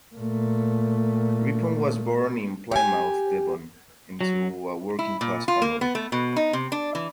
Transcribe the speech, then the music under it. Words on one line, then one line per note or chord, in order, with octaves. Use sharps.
Rippon was born in Plymouth, Devon, into a working-class family.
A#2 A3
G4 G#5
F#3
E4
A#2
F4
A#3
B3
A3
B2
D#4
C3
D4
E3